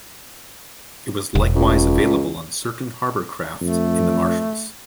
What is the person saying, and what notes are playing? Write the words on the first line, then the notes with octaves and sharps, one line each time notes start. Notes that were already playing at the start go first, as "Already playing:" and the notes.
It was likewise available on certain harbor craft in the Marshalls.
E1
C#2
F2 A3